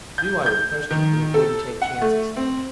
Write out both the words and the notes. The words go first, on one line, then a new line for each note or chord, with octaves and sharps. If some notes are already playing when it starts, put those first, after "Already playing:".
Knew I would question you and wouldn't take chances.
G6
G6
D#3
A4
F#5
A3
C4